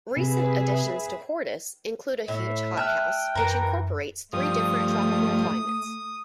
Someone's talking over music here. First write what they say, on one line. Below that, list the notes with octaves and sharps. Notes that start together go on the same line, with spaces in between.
Recent additions to Hortus include a huge hothouse, which incorporates three different tropical climates.
C3 G#4 B4 E5
A2 E5
E5 G5 A5 F6 F#6
F#2 E3 A#4
G2 F3 A3 D#6